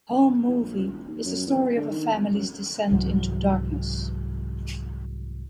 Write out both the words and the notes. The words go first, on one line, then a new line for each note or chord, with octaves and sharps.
"Home Movie", is the story of a family's descent into darkness.
E2
A#1
C#2
E1
D#2
F#2
E2
D3
D#3
D1
F#2
C2 G#2 E3 F#3